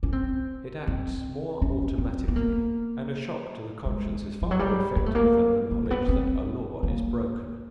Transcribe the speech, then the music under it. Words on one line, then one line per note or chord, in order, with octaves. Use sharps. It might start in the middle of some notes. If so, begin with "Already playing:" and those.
It acts more automatically, and a shock to the conscience is far more effective than the knowledge that a law is broken.
C#4
C4
C4
C#4
C4
B3
A#3
G#3
F3
F#3
G3
A#3
A3
A#3
A#3
A#3
B3
C4
A#3